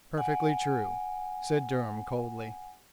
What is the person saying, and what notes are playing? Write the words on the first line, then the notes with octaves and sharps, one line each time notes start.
"Perfectly true," said Durham, coldly.
F#5 G#5